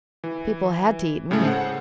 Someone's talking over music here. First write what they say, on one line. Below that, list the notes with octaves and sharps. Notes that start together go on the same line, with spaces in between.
People had to eat meat.
E3
A2 C#3 G#3 A3
C5 F#5